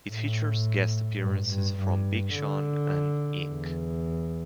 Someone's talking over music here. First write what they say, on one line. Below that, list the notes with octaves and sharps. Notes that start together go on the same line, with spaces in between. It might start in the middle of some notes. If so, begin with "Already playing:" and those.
It features guest appearances from Big Sean and Ink.
A2
G2
G2
G2
D3
E2